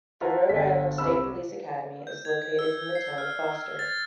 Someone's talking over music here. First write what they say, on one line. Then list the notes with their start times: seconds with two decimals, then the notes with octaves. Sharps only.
The Rhode Island State Police Academy is located in the town of Foster.
0.21 F4 F#4 E5 A5 A#5
0.49 G1 A4 B6
0.98 C2 B5 E6
2.07 G6
2.25 G#6
2.59 E6
2.95 C7
3.18 F6
3.52 F6
3.79 A6